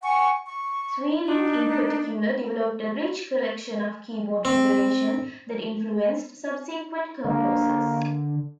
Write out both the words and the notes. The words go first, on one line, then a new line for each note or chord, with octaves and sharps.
Sweelinck in particular developed a rich collection of keyboard figuration that influenced subsequent composers.
F#5 G#5 C#6
C#6
D4 D#4
C4
D3 A#3